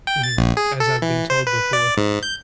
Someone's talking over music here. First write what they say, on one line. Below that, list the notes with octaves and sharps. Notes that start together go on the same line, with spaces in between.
Mhm. As I've been told before.
G5
A6
A#1
G#4
A4
E3
C5
B4
D5
G#2
G6